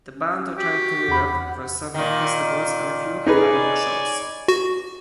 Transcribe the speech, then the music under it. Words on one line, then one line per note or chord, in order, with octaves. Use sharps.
The band returned to Europe for several festivals and a few headlining shows.
C#4
F#4 G4
E2 F#5 B5
A#2 D#3
D#4 G#4 B4 C#5 D5 G#5
F#4